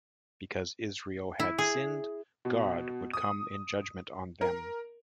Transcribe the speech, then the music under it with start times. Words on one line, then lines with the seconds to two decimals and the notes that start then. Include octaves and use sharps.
Because Israel had sinned, God would come in judgement on them.
1.40 E4
1.58 G#4
2.45 B2
3.13 D#6
4.41 A#4